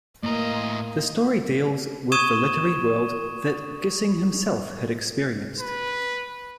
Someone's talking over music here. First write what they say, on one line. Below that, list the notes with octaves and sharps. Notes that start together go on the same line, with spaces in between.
The story deals with the literary world that Gissing himself had experienced.
A2 A#3 D#5 A#5
C#6 D#6 G#6 D#7 E7 G7
B4